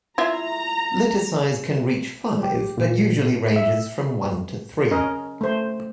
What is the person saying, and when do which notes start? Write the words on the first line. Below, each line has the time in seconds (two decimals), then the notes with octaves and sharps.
Litter size can reach five, but usually ranges from one to three.
0.18 E4 F4 E5 A#5
2.43 G4
2.77 A#2
3.56 E5
4.91 C#4 A#4 D#5
5.41 A3 C5